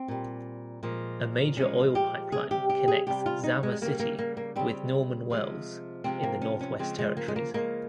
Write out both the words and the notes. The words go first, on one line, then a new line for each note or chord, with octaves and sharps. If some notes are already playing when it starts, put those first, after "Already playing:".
A major oil pipeline connects Zama City with Norman Wells in the Northwest Territories.
Already playing: C4
A#2 G3
A#2 F3 G#3
A#2 F3 G#3 C#4
G4
C3 G3 G#4
G4
G4
G#4
C3 G3 G4
F4
D#4
G#3
C#3 G3 A#3
A#3
A#3
A#3
C#3 G3 C4
C3 F3 G#3
C3 F3 G#3 C4
A#3
C#4
C#4
C#3 F3 G#3 C4
G#3
A#3
G#3
A#3
C#3 F3 G#3 A#3